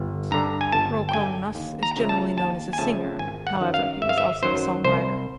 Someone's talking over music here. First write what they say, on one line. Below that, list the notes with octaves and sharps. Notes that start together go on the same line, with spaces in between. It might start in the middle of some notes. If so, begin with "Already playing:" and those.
Roukounas is generally known as a singer, however he was also a songwriter.
Already playing: G1
G2 D3 A#5
G#5
G1 A5
G5
G2 D3 G#5
D#2
A#5
C#3 F3 A3
A5
D#2 A5
G#5
C#3 F3 A3 A5
G#1 G#5
F#5
F#2 D#3 F#3
F5
G#1 E5
F5
E5
F#2 D#3 F#3 C5
C2 C5